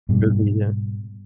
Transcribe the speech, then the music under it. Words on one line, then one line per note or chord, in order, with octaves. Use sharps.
review, yeah.
G#2 B2 G3